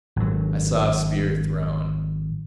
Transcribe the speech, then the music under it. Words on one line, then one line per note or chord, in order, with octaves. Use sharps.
I saw a spear thrown.
G#1 F#3